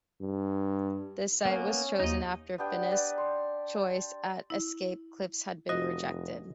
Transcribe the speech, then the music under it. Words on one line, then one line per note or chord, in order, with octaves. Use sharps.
The site was chosen after Finniss's choice at Escape Cliffs had been rejected.
G2
A#3 B3 C#4
D#2 D#4 D#5
B3 D4 G4 G5
B4 D5
C6
E4
F1 F#4 D#5